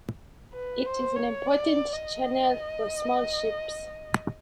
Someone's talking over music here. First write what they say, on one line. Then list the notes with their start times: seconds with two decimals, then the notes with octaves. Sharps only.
It is an important channel for small ships.
0.53 B4
0.85 C5
1.15 C#5
1.47 D5
1.93 D#5